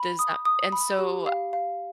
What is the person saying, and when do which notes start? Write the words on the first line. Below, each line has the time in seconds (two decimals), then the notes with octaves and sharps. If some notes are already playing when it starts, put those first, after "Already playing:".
Does that and so
Already playing: B5
0.19 D#6
0.45 D#6
0.72 B5
0.99 G4
1.26 F5
1.53 F5